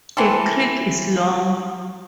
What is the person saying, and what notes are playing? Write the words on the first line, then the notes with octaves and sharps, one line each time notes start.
The creek is long.
E3 C4 A4